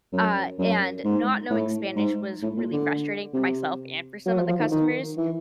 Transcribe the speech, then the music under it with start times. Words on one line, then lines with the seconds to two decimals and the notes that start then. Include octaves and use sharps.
uh, and not knowing Spanish was really frustrating for myself and for some of the customers,
0.13 F#2
0.59 F#2
1.04 G#2
1.50 A2
1.96 G#2
2.42 A2
2.57 A#2
2.72 D3
3.34 C3
4.26 F#3
4.37 F3
4.48 F3
4.59 D#3
4.71 D#3
5.17 E3